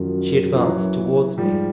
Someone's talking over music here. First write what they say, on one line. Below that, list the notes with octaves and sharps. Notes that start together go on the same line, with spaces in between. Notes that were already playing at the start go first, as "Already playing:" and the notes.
She advanced towards me.
Already playing: F#2 D#3 F3
F3
E3 F#3
G#2 F3 G3